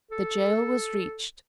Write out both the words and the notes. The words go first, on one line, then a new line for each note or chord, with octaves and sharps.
The jail was reached.
A4